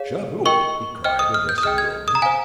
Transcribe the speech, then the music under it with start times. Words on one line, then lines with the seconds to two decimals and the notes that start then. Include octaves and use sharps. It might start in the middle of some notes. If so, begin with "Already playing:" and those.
"Shut oop!" he cried, addressing Grogan.
Already playing: G#4 C#5 F5
0.45 A#4 D#5 G5 C#6
1.04 C5 D#5 G5 F6
1.19 D#6
1.34 F6
1.49 G6
1.58 D#6
1.63 G#4 D#5 G5 F6
1.78 G#6
2.08 D#6
2.15 A#5
2.22 C5 F5 G#5